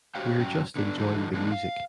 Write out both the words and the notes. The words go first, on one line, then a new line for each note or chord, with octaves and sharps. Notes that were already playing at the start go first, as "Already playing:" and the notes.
We're just enjoying the music.
F#4 G4 C5 C#5 F5 G5
G2 F#3 C#4 G5
D3 B3 D4
G2 D3 E3 F#3 D#4 A4
E3 G#3 A#3 C4 D4 D#4
F5